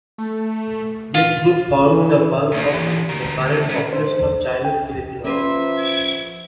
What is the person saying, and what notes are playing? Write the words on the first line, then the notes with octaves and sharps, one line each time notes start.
This group formed the bulk of the current population of Chinese Filipinos.
A3
F4
E3
D#3 A#3
E3 G4
D2 A#4
D2
G#3 C#4
C5
G5
F3 A#3 C#4 B4 C5 E5